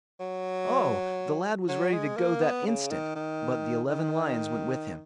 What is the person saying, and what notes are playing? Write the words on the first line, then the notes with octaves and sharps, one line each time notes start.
Oh! the lad was ready to go that instant; but the eleven lions went with him.
F#3
F#3
G#3
A#3
B3
C#3
D#3
D#3
D#3